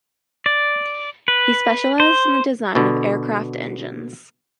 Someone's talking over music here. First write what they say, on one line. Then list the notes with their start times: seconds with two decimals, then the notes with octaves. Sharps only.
He specialised in the design of aircraft engines.
0.46 D5
1.28 B4
2.00 C5
2.75 B2 D3